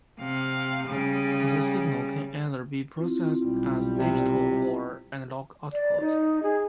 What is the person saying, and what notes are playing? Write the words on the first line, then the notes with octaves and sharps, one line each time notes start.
The signal can either be processed as digital or analog output.
C3 F5
C#3 G3
C4 E4 F4
B1 G3
C3
D5
D#4
G#4